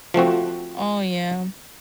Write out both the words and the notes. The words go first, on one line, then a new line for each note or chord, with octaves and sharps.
Oh yeah.
F3 A3 C4 F#4